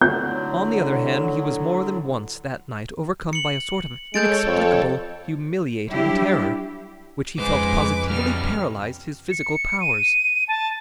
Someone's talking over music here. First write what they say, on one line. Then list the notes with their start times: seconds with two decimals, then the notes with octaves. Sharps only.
On the other hand, he was more than once that night overcome by a sort of inexplicable humiliating terror, which he felt positively paralyzed his physical powers.
0.01 A2 D3 F#3 G6
3.33 C#7 F#7
4.14 G#3 A4 C#5 G6 A6 D7
4.46 F2
5.88 F#3 G3 D4 E4 G4
7.39 F2 C#3 G#3 B4 C5 G#5 D6
8.10 B2 G3 F6
9.31 C#7
9.81 D#7
10.48 A5